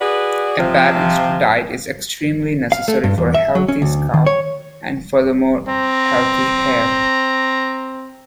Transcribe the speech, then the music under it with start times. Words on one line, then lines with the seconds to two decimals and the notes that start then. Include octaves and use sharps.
A balanced diet is extremely necessary for a healthy scalp and furthermore healthy hair.
0.01 F#4 G#4 B4 D5
0.58 C3 F3
2.72 F5
2.88 A3
3.04 G2
3.18 E2
3.35 E5
3.55 F#3
3.68 C#4
3.82 D2
4.14 D#3
4.26 C#5
5.68 C4 A#5